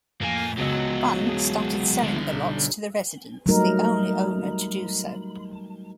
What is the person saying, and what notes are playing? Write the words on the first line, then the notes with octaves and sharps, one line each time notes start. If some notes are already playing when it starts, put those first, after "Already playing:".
Bunn started selling the lots to the residents, the only owner to do so.
F2 A2 A#3 G#5
C#2 F#3 G#3 B3 D#5 E6
G#4 A5 D#6
G2 D3 E4
B1
F#3 G3 A3 D#4 A#4